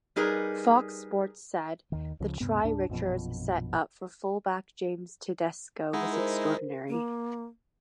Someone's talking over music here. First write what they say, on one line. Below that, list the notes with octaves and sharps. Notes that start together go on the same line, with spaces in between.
Fox sports said, The try Richards set up for fullback James Tedesco was extraordinary.
G3 D#4 G#4 A#4 B4
D#2 D#3
C#2 C#3 F3
D2 G2 C3 B3
C#2 G#2 D4
A#1 F#2 B2 F3
G#3 D#4 E4 F#5
A#4 C5
A#3